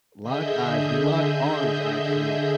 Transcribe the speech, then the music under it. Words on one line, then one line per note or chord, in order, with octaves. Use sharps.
lock eyes, we lock arms, actually,
D3 G#4 D#5 E5 G6